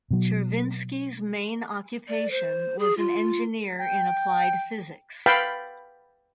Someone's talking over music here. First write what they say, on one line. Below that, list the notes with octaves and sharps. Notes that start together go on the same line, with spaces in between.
Chervinsky’s main occupation was an engineer in applied physics.
B2 F#3
D5
C5
G#4
F4
G5
B4 F5 G5 A5 B5